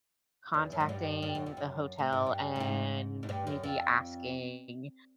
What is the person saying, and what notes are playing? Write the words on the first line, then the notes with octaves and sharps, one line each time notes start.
contacting the hotel and maybe asking,
E2
F#2
G#2
G2
G2
F#2
F2
F#2
A2
G#2
G2
G2
G#2
G#2
G2
F#2
F2